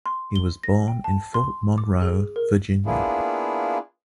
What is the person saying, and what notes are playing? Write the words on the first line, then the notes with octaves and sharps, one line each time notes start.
He was born in Fort Monroe, Virginia.
C6
G7
A#6
G5
A5
C6
D6
G#4
A#4
A#3 B3 D4 E4 F4 G#4